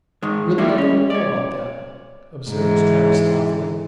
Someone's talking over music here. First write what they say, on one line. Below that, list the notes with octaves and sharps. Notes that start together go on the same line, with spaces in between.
'Really I don't know about that,' observed Traddles thoughtfully.
G#2 D#3 G#3
G3 A#3 E4
C#4
C#5 D5
G#2 E3